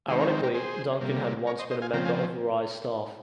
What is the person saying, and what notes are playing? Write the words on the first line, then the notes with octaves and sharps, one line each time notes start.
Ironically, Duncan had once been a member of Wrye's staff.
D#3 G#3 C4 G#4 C5
A#4 C#5
G4 A#4
G#4 C5
C3 G3 A#3
A#4 C#5
C5 D#5
C5 D#5
F5 G#5
C#3 F3 C4 G5 A#5
F5 G#5